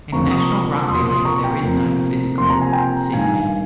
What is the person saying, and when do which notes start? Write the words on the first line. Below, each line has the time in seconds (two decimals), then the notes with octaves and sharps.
In the National Rugby League, there is no "physical" sin bin.
0.12 F2 C3 F3 A#3 A#5 C#6
0.31 D#6
0.37 A#5 C#6
0.88 F2 C3 F3 A#3 C6 D#6
1.06 C6 D#6
1.25 A#5 C#6
1.44 G5 A#5
1.63 F2 C3 F3 A#3
2.38 F2 C3 F3 A#3 C6
2.50 A#5
2.62 G#5
2.73 G5 A#5
3.13 G2 D#3 G3 F5 G#5